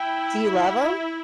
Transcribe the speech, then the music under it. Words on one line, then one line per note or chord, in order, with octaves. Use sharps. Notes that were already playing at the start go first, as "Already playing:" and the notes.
Do you love 'em?
Already playing: E4 G5
F#5
E5
E5